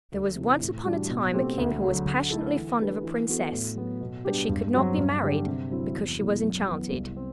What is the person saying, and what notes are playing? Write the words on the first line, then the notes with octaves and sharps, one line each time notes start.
THERE was once upon a time a king who was passionately fond of a princess; but she could not be married, because she was enchanted.
D2
C3 E3
A2
E3 G3 D4 F#4
B2
A3 C4 G4
D2
D3 F#3
D3
A3 E4 A4
E3
A3 D4 G4 B4
E3
B3 F#4 A4
A2
F#3 B3
B2
G3 B3 D4 G4
G2
F#3 C4 F#4
G2
D3 G3 D4 G4
C3
F#3 C4 E4
E2
B2 F#3 A3 E4
F#2
E3 B3
C2
C4